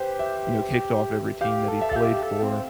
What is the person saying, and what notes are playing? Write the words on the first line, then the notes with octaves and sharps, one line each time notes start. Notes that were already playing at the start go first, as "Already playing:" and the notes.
you know, kicked off every team that he played for
Already playing: G4 B4 C5
E5
G4 F5
A4
E5
A4
G4 F5
E5
A4
C4